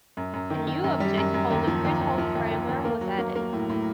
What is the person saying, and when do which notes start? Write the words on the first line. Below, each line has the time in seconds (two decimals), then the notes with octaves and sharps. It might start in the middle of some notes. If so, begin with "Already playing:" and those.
A new object called a Crystal Framer was added.
0.17 F#2
0.34 F#2
0.50 D#3
0.67 D#3
0.84 F#2
1.00 G3
1.17 F#2
1.34 F#2
1.50 D#2
1.67 F3
1.85 D#2
2.01 D#2
2.18 F3
2.35 D#2
2.51 D#2
2.69 D#2
2.85 A#3
3.01 F#3
3.19 A#3
3.36 A#3
3.53 A2
3.69 A2